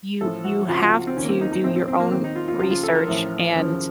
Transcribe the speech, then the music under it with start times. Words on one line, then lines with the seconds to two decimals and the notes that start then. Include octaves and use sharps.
you you have to do your own research and
0.21 A1 A2 F3 A4
0.44 F#4
0.69 C#2 C3 F3 F4
0.77 F#4
0.84 F4
1.07 C4
1.16 D#2 D#3 C#4
1.24 A#3
1.28 C4
1.41 D#4
1.52 D#4
1.64 A1 A2 F3 C4
1.76 C4
1.88 C4
2.00 A#3
2.11 D#2 D#3 C4
2.24 D#4
2.36 F4
2.48 F4
2.59 C#2 C#3 F3 F4
2.71 F4
2.83 A4
2.95 A#4
3.06 A1 A2 F3
3.54 D#2 C#3 F3